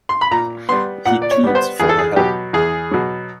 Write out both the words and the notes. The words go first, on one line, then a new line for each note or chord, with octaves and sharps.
He pleads for her help.
C6
B5
A#2 A#5
G3 B3 C6
A#2 F#5
D5
C#5
G3 B3
C5
E2 G#4
A4
G#4
B2 F#3 G4
E2 G#4
B2 F#3